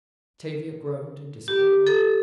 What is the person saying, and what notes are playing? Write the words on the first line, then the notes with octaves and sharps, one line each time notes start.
Tavia groaned in disagreement.
G4
A4